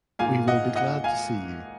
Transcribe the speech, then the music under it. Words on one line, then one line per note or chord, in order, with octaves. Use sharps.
We will be glad to see you!
G#2 D#3 A#3 F4 F5 G#5
D#5 F#5
D#5 F#5
F5 G#5